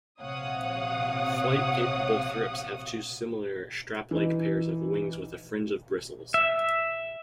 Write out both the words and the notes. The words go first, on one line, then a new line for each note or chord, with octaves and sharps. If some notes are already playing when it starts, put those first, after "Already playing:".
Flight-capable thrips have two similar, strap-like pairs of wings with a fringe of bristles.
A#1 C3 C#5 F5 F#5 D#6
E3 D#4
E5